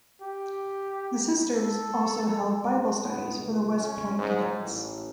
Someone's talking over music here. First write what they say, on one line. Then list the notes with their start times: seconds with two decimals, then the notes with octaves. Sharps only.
The sisters also held Bible studies for the West Point cadets.
0.22 G4
1.55 A4
3.00 B3
3.36 C#2
3.79 C#4
4.18 G#2
4.63 A1